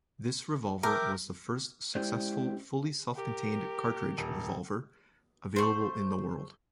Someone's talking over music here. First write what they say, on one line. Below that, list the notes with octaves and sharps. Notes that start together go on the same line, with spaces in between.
This revolver was the first successful fully self-contained cartridge revolver available in the world.
A#4 E5 G5 D6
G#3 C#4 E4 G4 C5 D5
G4 A#4
D#1
A3 C5